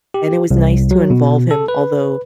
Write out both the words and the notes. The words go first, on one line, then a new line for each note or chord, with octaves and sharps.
and it was nice to involve him, although
G4
C2
F#3
B2
A4
B4